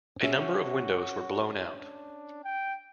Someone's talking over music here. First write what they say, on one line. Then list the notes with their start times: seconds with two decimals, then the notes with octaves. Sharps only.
A number of windows were blown out.
0.23 C#4 F#4 G#4 E5
1.70 D4
2.44 G5